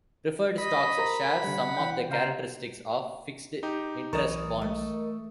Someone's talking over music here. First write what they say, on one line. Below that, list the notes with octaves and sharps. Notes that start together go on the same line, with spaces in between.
Preferred stocks share some of the characteristics of fixed interest bonds.
D#5 B5
A#4 C5 A#5
D3 G3 F#5
E3 G5
C#3 C5 F5 A#5
D#4 G4
B1 E3 A#4 D#5 C#6 D#6 A6 E7
A3